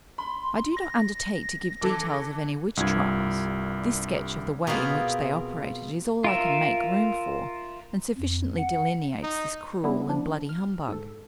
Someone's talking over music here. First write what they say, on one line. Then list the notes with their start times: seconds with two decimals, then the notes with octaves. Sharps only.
I do not undertake to give details of any witch trials; this sketch of the way in which they operated is all I can make room for, and sufficiently delineates this cruel and bloody humbug.
0.18 B5 C6
0.77 A#6
1.81 E3 A4 D6
2.77 C2 G2 F4 G#6
4.67 B2 A#3 C4 F4 G#4 B4
6.24 F4 A#4 E5
8.18 F2
8.58 F#5
9.23 D#4
9.84 G3 B3 D4 E4
10.09 F3 D4
10.49 F6
10.89 G#2 A4